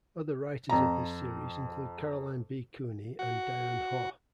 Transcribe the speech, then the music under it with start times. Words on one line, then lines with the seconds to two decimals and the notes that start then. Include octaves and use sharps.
Other writers of this series include Caroline B. Cooney and Diane Hoh.
0.69 F2 A#5
3.19 F#4